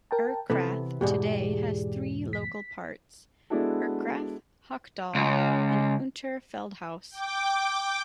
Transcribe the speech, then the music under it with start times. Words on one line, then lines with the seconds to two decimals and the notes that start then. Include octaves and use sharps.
Erkrath today has three local parts: Erkrath, Hochdahl and Unterfeldhaus.
0.11 A#4 G5 A5
0.50 C3 E3 B3 A4
1.01 E2 G#2 B2 G4 G#4 D5
2.33 B6
3.50 G#3 B3 D4 E4 F#4 A4
5.15 C#2
7.10 G5 D6